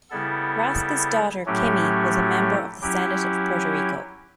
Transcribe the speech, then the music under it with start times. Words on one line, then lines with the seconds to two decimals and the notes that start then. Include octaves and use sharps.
Raschke's daughter, Kimmey, was a member of the Senate of Puerto Rico.
0.10 C#3 G3 B3 E4 A4
1.46 A2 F#3 A3 C#4 G4
2.82 F#3 C#4 E4 G4